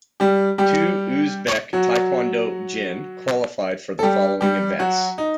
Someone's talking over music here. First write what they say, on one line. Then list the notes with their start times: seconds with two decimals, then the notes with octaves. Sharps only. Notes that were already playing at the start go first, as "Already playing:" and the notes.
Two Uzbek taekwondo jin qualified for the following events.
0.20 G3 G4
0.58 G3 G4
1.73 F#3 F#4
3.99 A4
4.03 G3 G4
4.41 G3 G4
4.79 F#3 F#4
5.18 D#4